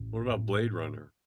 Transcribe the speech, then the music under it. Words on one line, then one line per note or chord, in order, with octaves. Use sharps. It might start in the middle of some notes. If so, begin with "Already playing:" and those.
What about Blade Runner?
Already playing: A1
A2